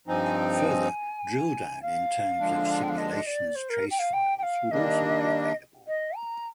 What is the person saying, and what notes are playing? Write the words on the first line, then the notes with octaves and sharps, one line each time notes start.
Further, drill down in terms of simulations trace files would also be available.
G2 F3 C4 D#4 G#5
G#5
G5
G5
G#5
F5
D3 F3 G#3 D4
G5
F5
D#5
D5
C5
A#4
G5
F5
G5
G5
F5
D#3 G3 A#3 D4 D#5
D#5
A#5